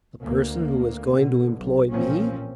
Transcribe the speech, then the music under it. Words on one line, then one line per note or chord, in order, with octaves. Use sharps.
"The person who is going to employ me?"
D2 A#3
B2 D3
B1
A1 A#2 F3 C4 C#4